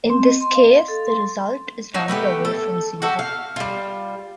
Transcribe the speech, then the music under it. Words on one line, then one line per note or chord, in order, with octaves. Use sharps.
In this case, the result is rounded away from zero.
C4
D#5
C6
F5
A4
C6
F#3 D#4 F#4
A3 B3 F#4 G4
A4
F#4 G4 A4
F5
G3 F4